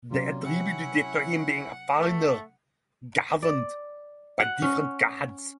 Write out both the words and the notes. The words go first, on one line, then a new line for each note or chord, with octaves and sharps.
They attributed it to him being a foreigner governed by different gods.
C3 F#3 G3 A#3 C#4 F4
C#4 E4 G4 E5 F#5
A3
D5
F#5
C#4